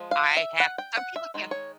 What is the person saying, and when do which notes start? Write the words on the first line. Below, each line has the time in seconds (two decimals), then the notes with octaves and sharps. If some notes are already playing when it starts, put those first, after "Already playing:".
I have some people can,
Already playing: F3 G#3
0.11 F5
0.37 E5
0.60 F#5
0.78 G5
0.97 F#5
1.16 E5
1.34 D#3 G#3
1.51 C#5